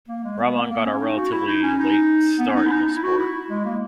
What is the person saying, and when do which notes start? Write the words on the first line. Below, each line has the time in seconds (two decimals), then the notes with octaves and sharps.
Rahman got a relatively late start in the sport.
0.08 A#3
0.24 G#3
0.39 B3
0.55 A#3
0.70 A#3
0.85 C#4
1.01 D#4
1.17 F#4
1.32 E4
1.48 D#4
1.63 C#4
1.79 D#4
2.39 B3
2.47 C#4
2.56 D#4
2.67 E4
2.72 D#4
2.96 E4
3.04 F#4
3.19 E4
3.50 G#3
3.65 A#3